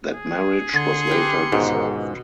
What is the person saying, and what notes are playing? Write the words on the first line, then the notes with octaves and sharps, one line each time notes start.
That marriage was later dissolved.
G#4
D3 C6 C#7
G4 A#4 B4
C#2 G#2 B2 D#3